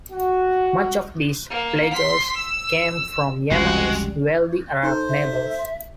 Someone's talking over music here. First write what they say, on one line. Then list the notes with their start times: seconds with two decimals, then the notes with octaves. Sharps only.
Much of these pledges came from Yemen's wealthy Arab neighbors.
0.12 F#4
1.50 A#3
1.93 C6 B6
2.37 E6
3.51 F1 C#2 G3 G#3 F#4
4.83 D#4 A4 C5
5.09 E5